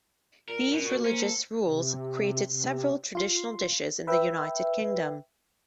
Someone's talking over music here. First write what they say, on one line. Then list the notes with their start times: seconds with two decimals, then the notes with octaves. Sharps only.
These religious rules created several traditional dishes in the United Kingdom.
0.48 A#2 A#4
0.72 B2 C#4
0.84 F#4
1.05 A#3 C#4 C5
1.20 A4
1.65 C3
2.45 C3
3.15 F4 C6
4.07 B4 E5 G5